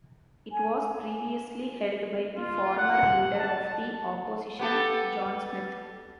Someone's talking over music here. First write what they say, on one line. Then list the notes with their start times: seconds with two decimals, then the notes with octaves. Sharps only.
It was previously held by the former Leader of the Opposition John Smith.
0.52 G#5
2.37 F4
2.77 F#5
3.35 A5
4.59 B3 G4 A4